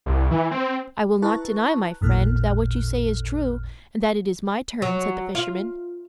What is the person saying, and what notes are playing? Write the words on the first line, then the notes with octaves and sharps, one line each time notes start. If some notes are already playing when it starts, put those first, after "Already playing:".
"I will not deny, my friend, that what you say is true, and that it is my turn," said the Fisherman.
C2
E3
C4
E4 B4 A5 A#5 C#6 F#6
A1 E2 A#2 A4 F6 F#6
F#3
F4